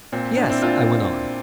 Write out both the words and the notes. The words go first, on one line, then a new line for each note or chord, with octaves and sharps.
"Yes," I went on.
A#2 C4
D4
C4 E4
A#2 D4 F4